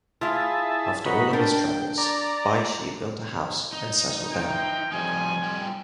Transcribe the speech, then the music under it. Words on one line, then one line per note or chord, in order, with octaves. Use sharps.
After all of his travels, Baishi built a house and settled down.
E4 F4 G#4 E5 A5
D#4 F#4 B5
D4 A#4 G5
D5 A#5
D#4
E3 F4 G5
F2 F3 G3 D#4 G#5
G3 F4 G5